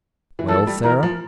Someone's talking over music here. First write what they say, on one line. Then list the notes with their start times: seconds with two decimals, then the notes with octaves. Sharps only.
"Well, Sarah!"
0.39 E3
0.49 F3 A4
0.67 G3
0.84 E3 A#4
1.03 F3